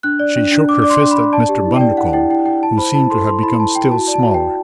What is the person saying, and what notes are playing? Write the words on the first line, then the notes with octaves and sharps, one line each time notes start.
She shook her fist at Mr. Bundercombe, who seemed to have become still smaller.
D4 F#6
D5
D4
D4
D4 D6
D5 D6
C6
D4
B5
D4
D5 A5
G4
E4
D5 G5
E4 F#5
E4 G5
E4 G5
E4 G5
E4 A5
C5 B5
E4 A5
A4 C6
A4 C6
E4 B5
E4 A5
E4 G5
F#4 A5
D5
A5
F#4
G5
F#4